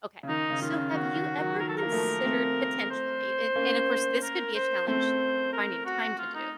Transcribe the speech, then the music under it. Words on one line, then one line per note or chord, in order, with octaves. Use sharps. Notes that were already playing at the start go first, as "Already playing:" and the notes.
Okay. So have you ever considered, potentially and and of course, this could be a challenge finding time to do.
C#3
D#3 D#4
C#3
D#3 F4
C#3
D#3 F#4
D#3
D#3 F#3
D#3 F#3 A#4
A4
A#4
A#3
F3 A3
A3 C4
C5
A#3 C#4
A#4
C5
A3 C4 C5
A#4
F#4
F4
D#4